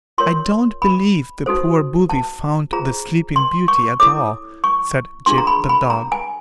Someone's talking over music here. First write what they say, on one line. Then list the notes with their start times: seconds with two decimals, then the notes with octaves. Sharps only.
"I don't believe the poor booby found The Sleeping Beauty at all," said Jip, the dog.
0.18 F4 A#4 C#5 C6
0.82 B5
1.46 D#4 F#4 A4 C5
2.10 A5
2.73 F4 G#4 C5 A#5
3.36 C6
3.68 C#6
4.00 E4 A4 C#5 D6
4.64 C#6
5.26 D4 F4 G#4 C6
5.38 A#5
5.47 B5
5.69 B5
5.90 A#5
6.12 G#5